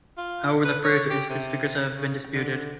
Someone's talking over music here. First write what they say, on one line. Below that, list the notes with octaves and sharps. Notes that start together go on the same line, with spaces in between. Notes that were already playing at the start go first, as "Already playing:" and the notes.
However, the Fraser Institute's figures have been disputed.
F4
B4
C#5
G4
C3
C#3
D3